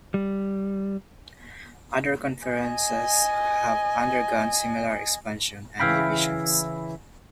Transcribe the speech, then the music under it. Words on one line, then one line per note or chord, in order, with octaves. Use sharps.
Other conferences have undergone similar expansion and division.
G3
D#5 G#5
C#3 E3 E4 F5 G5 B5